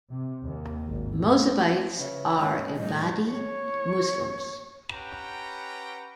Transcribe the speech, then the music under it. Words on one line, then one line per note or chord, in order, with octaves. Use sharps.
Mozabites are Ibadi Muslims.
C3
D#2
G#1
A3
C#3 B4 C#5 E5
G#2 A#3 C#4 D#5
F#1 A2 G3 D#5
C#5
C#4 G4 B4 F#5 G5 A#5